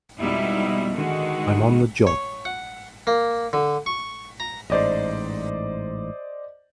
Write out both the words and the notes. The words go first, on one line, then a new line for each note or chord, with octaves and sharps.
I'm on the job!
F2 B2 G3 G#3 D#4 E4
D3 D#3 G#3 F#4
C#5
F#5
A#3
D3
C#6
A#5
A1 G#2 C5 D5 D#5